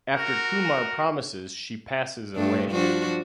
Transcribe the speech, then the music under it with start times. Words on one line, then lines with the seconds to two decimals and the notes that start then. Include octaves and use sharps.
After Kumar promises she passes away.
0.14 F#4 A#4
2.35 G2 A3 D4
2.71 F3 D4 F#4